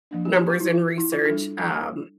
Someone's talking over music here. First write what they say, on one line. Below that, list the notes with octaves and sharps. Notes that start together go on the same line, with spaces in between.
numbers and research, um,
F3 A#3 D4
G4
G4
F4
E4
F4
E4
F4
G3 D4 A4